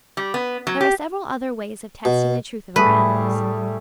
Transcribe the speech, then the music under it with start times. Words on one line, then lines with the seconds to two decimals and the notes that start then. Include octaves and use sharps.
There are several other ways of testing the truth of our annals.
0.17 G3
0.34 B3
0.67 F#3
0.81 G4
2.05 B2
2.76 A2 G3 A3 G#4 B4